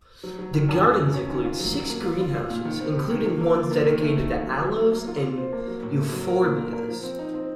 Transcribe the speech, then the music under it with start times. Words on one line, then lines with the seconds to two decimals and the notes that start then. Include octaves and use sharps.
The gardens include six greenhouses, including ones dedicated to aloes and euphorbias.
0.23 F#3
0.39 F#3
0.53 D#3
0.69 F#2
0.84 F#2
0.99 A3
1.14 C#4
1.29 D#3
1.44 F4
1.59 F#3
1.75 F#3
1.90 A#3
2.05 F4
2.20 F4
2.35 F4
2.50 A#2
2.65 D#3
2.80 C4
2.95 C3
3.10 D#3
3.26 A#3
3.41 A#4
3.56 F4
3.71 A#3
3.87 D#3
4.01 A3
4.17 A3
4.31 A3
4.47 F#3
4.62 F#3
4.77 F#3
4.92 A#3
5.07 F4
5.22 F4
5.38 C5
5.53 A#3
5.68 F#3
5.83 A2
5.98 A3
6.13 F#3
6.28 A#4
6.43 A#2
6.59 A#4
6.73 A#4
6.89 F3
7.03 C4
7.19 D#4
7.34 C4